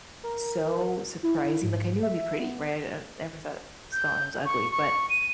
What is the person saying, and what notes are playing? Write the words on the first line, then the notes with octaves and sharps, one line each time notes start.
so surprising, like, I knew it'd be pretty, right? I n never thought Scotland was ugly, but
A#4
E4
G#2
E5
B3
G6
C#6
C#6
D#7